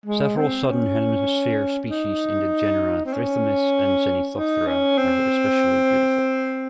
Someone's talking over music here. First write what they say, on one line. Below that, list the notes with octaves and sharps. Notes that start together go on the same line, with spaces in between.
Several Southern Hemisphere species in the genera "Trithemis" and "Zenithoptera" are especially beautiful.
G#3
C4
C#4
D#4
C4
C#4
D#4
C#4
C4